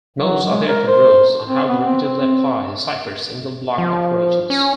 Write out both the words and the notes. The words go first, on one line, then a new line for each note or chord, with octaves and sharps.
Modes are therefore rules on how to repeatedly apply the ciphers' single-block operations.
F#3
G#3
A#4
C5
C4
B3
C4
C4
F3
C#4